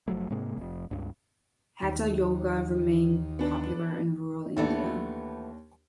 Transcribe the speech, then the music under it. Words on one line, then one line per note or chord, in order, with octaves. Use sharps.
Hatha yoga remained popular in rural India.
F#1 F3 F#3 A3
G#2 C3 G#3 A#3
F1 F2
C#2 G2
D#2
B3 D4
D#2 E3 A3 B3 D4